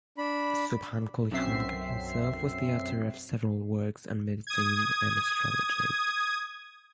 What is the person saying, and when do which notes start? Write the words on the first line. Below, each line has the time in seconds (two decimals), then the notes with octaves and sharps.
Subhan Quli Khan himself was the author of several works on medicine and astrology.
0.18 D4 B5
1.31 B1 F#2 C4 E5 C7
4.47 D#6 G#6